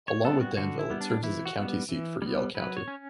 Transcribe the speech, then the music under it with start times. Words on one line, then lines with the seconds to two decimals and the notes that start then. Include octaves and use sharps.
Along with Danville, it serves as a county seat for Yell County.
0.08 C#5
0.24 G3 B3 A4
0.41 F#4
0.57 D3 F#4
0.79 E4
0.90 G3 B3
1.01 D4
1.23 E3 E4
1.45 F#4
1.57 G3 B3
1.89 E3
2.22 G3 B3
2.55 F#3 B4
2.77 C#5
2.88 C#4